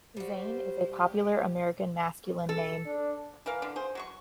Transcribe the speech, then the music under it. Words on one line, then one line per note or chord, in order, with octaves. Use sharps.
Zane is a popular American masculine name.
G3 F#4 C5
G4
A4
D4
E3 A#4 F5
D3
G#4 C5
F#3 F#4 C#6